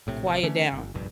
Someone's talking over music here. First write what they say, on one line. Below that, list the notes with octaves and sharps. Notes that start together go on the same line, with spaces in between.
Quiet down.
A#1 A2 C3
A1 C3
D3 E3 A3 C#4
G1
F1 A#1 G2